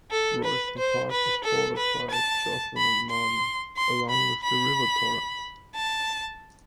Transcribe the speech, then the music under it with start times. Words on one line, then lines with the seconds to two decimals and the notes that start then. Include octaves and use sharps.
Royston Park is bordered by Joslin and Marden, along with the River Torrens.
0.11 A4
0.45 B4
0.78 C5
1.11 B4
1.44 A4
1.77 B4
2.11 A5
2.77 B5
3.10 C6
3.77 C6
4.10 B5
4.43 B5
5.75 A5